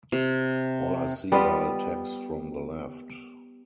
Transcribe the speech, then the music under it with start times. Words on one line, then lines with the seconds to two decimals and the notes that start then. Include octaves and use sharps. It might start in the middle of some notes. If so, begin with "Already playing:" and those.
All I see are attacks from the left.
0.12 C3
1.32 G3 B3 F4 D#5